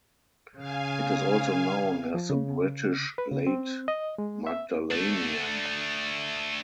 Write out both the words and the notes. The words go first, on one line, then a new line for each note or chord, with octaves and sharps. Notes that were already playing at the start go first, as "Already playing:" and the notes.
It is also known as the British Late Magdalenian.
C#3 F5 G#5
F3
C#3
B4
C#3
C4
D#5
G#3
E5
A3 D4